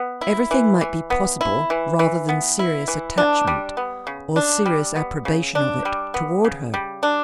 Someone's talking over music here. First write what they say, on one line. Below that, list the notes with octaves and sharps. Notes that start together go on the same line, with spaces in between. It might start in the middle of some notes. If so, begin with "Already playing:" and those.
Everything might be possible rather than serious attachment, or serious approbation of it toward her.
Already playing: B3
E4
E3
E3
B3
E4
E3
E3
B3
E4
E3
D4
G3
B3
C#3
D4
G3
B3
C#3
D4
G3
B3
C#3
G3
D4